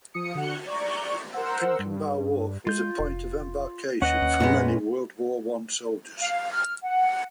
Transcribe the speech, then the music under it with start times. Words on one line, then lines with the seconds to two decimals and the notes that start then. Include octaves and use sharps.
Pinkenba Wharf was the point of embarkation for many World War One soldiers.
0.14 F3 D#6 C#7
0.35 D3 F#4 F#5 C#7
0.67 D5 A#5 C#6
1.33 A#4 C5 F#5 E6
1.79 G2
2.67 G#3 F4 G6
2.99 F1
4.02 D#2 C#4 B4 D#5 F#5
4.22 D#2
4.40 F2 A#2 G#3 B3
6.18 F5
6.52 F6
6.83 F#5